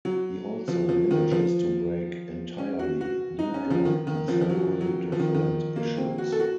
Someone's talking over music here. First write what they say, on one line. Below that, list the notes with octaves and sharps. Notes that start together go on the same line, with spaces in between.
He also manages to break entirely new ground on several different issues.
F#3
F3
F3
D#3
F3
C#4
F#4
F#4
D#4
C#4
F3
D#3
D#3
F3
F3
F#3
F#3
F3
D#3
D#3
A#3
C4
F#4
A4
F#4